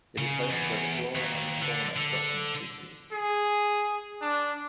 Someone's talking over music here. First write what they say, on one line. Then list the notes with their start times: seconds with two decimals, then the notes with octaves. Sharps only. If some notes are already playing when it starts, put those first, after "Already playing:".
It is home to both flora and fauna threatened species.
0.18 C#3
0.50 E2
1.15 D#2
1.62 D3
1.96 D3
3.12 G#4
4.21 D4